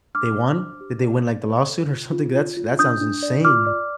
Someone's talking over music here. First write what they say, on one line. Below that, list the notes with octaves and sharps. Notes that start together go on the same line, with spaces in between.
They won? Did they win, like, the lawsuit or something? That's that sounds insane.
D4 D6 F6
C5
D4
G4
D5
D5
C5
A4
F4
F4
F4
F4
D4 D#6 G6
D4
D5
F4 D6 F6
D5